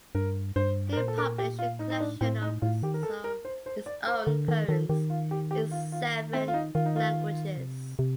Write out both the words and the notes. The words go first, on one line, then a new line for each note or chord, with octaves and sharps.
He published a collection of his own poems in seven languages.
G2 A#4
G2 C5
A#4
A#2 C5
A4
A#4
G4
F4
A2 D#4
D#4
D4
A2 C4
D#4
A2 F4
D#3 G4
A#4
A4
A#4
C5
C5
D5
C5
D3 A#4
D#3 A4
D#3 A4
D#3 G4
F4
G4
G4
F4
F4
C4
F4
D#4
D#3 F4
D#4
F4
C3
C3